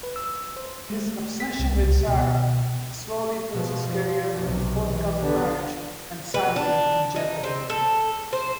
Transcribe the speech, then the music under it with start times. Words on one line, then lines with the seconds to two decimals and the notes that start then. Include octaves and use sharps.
His obsession with Sarah slowly puts his career, forthcoming marriage, and sanity in jeopardy.
0.03 B4
0.16 E6
0.57 C5
0.90 G#3
1.07 A3
1.40 B6
1.59 C2
1.83 C#2
2.08 B2
3.53 B2 F3
3.87 F3
4.38 B1 C3
4.84 E3
5.21 D3 B3
6.34 B4
6.56 D4
7.16 D#4
7.44 C4
7.70 A4
8.33 C5